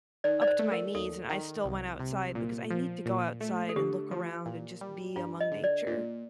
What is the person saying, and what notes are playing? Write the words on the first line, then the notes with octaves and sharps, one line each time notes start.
up to my knees, and I still went outside because I need to go outside and look around and just be among nature.
D#3 D5
D5
C5
A3
A#4
D#2 A4
D#3
C2
C3
A#2
F3
A#2
A3
A4
D3 G4
F3
A#2
G3
G2 F4
D#5
D3
D5
A#2